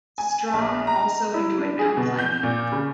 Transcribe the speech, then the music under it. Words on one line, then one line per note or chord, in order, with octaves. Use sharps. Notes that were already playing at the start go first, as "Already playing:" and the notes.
Strong also enjoyed mountain climbing.
G#5
A#1
A#5
E4
D4
G#4
B2
G6
A#2
C#3